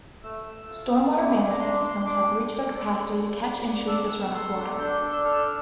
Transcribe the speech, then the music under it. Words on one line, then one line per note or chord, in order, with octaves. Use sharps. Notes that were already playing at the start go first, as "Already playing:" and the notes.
Stormwater management systems have reached their capacity to catch and treat this runoff water.
A3 E6
A3
F4
A3
D4
D4
A#5
D4 C6
D4
C6
D4 D6
D4
D4
A4
D4
D4
D4
D4
A4 E6
A4
A4 C6
D4
D4 G6
D4
E6
A4 F6
D4